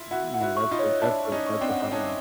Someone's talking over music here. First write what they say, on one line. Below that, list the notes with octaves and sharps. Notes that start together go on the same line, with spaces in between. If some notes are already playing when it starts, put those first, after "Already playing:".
You know, that's a that's a that's a hot one.
Already playing: E4 F4
E4 F#4 F#5
F#5
E4 F#4
C#6
D#4 F4
C#5
D4 E4 A5
C#6
C#4 D#4
C#6
C4 D4
F#5
C#4 D#4 A5